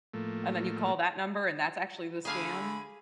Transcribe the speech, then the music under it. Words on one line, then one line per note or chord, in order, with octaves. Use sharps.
and then you call that number and that's actually the scam?
A2 F3 A3 A#3
D3 A3 G#4 F5 G#5 B5